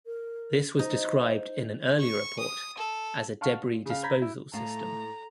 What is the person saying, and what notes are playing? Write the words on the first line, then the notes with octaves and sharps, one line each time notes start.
This was described in an earlier report as a "debris disposal system".
A#4
D#4 C5
C#6
D#6
A4
F5 F#5 A5 C#6 F6
A#2
C#3 F5
A#5 B5 G6 G#6 A#6 B6
E4
A2 A3 F5 A5 A#5